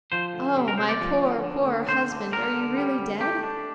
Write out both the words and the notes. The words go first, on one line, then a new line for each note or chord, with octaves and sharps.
'Oh, my poor, poor husband, are you really dead?
F3 C5
D2
C3
A#4
C3 C5
D5
F3
D2
D3
D2
D2 C5
D3
D3 A#4
D3
G3
D2
A3 G4
D4